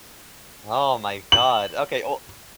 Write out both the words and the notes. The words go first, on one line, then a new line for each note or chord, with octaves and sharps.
Oh my God. Okay, well eh,
F#7